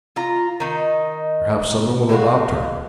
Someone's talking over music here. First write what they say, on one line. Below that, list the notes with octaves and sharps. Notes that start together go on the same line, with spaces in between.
Perhaps some one will adopt her.
F4 A#5
D#3 D#4
A2 G#3 F#4 F5